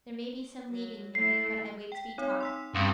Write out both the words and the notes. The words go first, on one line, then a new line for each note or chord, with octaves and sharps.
There may be some leading here; but I wait to be taught.
F#3
A3 E4 C7
G5 B6
C4 D#4 C#5
C6 E6 B6
G2 C4 C#4 G4